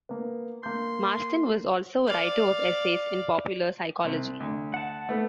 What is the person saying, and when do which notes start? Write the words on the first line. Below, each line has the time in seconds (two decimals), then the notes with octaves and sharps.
Marston was also a writer of essays in popular psychology.
0.09 A#3 B3
0.63 A#3 C6 G6
2.06 D5 F5
4.04 C2 C4
4.40 D2
4.74 F#5 A5
5.09 A3 B3 A4